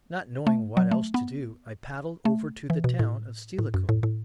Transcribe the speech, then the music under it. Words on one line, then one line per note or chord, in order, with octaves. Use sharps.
Not knowing what else to do, I paddled over to the town of Steilacoom.
A3
F#3
A3
B3
A3
E3
B2
A2
A2
F#2
A2
A2